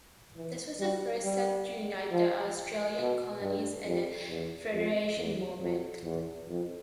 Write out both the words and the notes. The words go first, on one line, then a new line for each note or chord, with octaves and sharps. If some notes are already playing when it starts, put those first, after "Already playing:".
It was the first step to unite the Australian colonies in an federation movement.
E3
G3
G3
F3
B2
G2
F2
E2
F2
E2
F2
E2
F2